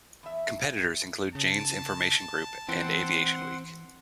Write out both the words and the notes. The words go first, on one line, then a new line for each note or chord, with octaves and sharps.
Competitors include Jane's Information Group and "Aviation Week".
E2 E5
C#3 A5
E3 C4 F#5 C6